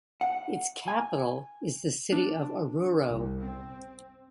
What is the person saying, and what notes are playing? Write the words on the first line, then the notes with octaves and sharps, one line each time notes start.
Its capital is the city of Oruro.
F#5
G#5
D4
C2
C4